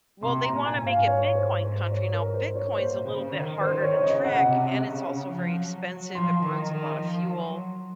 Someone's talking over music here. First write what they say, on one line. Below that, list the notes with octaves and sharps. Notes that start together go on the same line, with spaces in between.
Well, they want to make it bitcoin country. Now, Bitcoin's a little bit harder to track, and it's also very expensive, it burns a lot of fuel.
C3 C6
A#5
A#2
G#5
G#2
F5
C#5
C5
C5
C#5
A#4
C5
C#5
A#2 C5
C#3
D#3
D#3 C5
C#5
C#3 D#5
F#5
C3
C#3
F3
F#3
F#3
F3 C6
D#3
D#3
F3
F#3